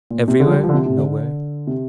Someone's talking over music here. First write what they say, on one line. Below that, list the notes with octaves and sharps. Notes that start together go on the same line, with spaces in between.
"Everywhere; nowhere."
A#2
C3
D3
F3
G3
F3
D3
C3
C3
D3
C3